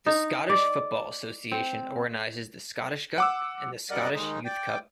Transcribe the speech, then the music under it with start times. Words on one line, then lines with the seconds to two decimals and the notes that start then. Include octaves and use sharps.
The Scottish Football Association organises the Scottish Cup and the Scottish Youth Cup.
0.06 D#4
0.49 D5
1.52 C4
3.18 F#5 D6 E6
3.90 F#2 G3 A#4 D5 D#5 F#5
4.14 D#2 G#3 D#4
4.45 D5 G5